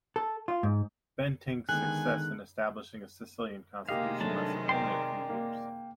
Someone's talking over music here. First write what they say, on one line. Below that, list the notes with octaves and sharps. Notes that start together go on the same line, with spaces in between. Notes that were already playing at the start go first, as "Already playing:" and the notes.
Bentinck's success in establishing a Sicilian constitution lasted only a few years.
A4
F4
G#2
D3 D#3 G#3 B3 G#5 F#6
C3 D#3 G#3 A#3 G4 D#5 F5
F#3 A3 D4 A4 A5
A#4 D5 G5 C6
A#3